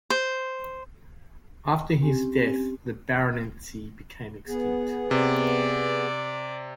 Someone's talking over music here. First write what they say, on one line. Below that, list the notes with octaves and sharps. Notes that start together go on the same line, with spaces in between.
After his death the baronetcy became extinct.
C5
C4 C#4 G4 G#5
B3 G#4
C3 D5